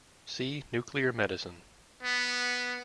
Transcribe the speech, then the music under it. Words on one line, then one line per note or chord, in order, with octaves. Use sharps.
See nuclear medicine.
B3